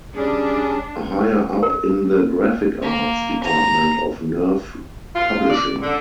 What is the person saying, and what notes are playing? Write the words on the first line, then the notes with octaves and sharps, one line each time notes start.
A higher-up in the Graphic Arts department of Nerve Publishing.
G3 C#4 D4 G#4
A#4
A#3
A#5
F4
D5
D3